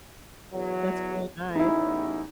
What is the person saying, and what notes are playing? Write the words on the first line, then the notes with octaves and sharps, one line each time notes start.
That's really nice.
E2 F#3
A1 E2 D#4 E4